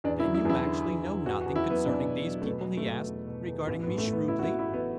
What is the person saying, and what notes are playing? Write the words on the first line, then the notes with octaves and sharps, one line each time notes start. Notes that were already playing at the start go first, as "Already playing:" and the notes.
"Then you actually know nothing concerning these people?" he asked, regarding me shrewdly.
E2 D4
E4
F#3
E4
E2 E4
D3
E2
E2
E2 F#4
F#4
E2
E4
F#3 B3
B2 D4
E2
F#3
A3
B2 B3
F#3
A3
B2
E2
B2
E2
A1 B3
B3
A2
A3
A1
B3
A1 E4
F#4
E4
E3
E4
A1 B3